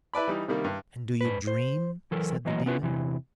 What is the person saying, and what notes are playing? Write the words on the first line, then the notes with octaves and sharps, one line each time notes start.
"And do you dream?" said the daemon.
E4 B4 D5 B5
E3 G3 D#4
C3 D#3 G3 A#3
G2
G#2 B4
C5
E3 F#3 A4 A#4
A2 E3 F#3 A#3 D#5
B3 C#4 E4 F4 B4
E2 C3 E3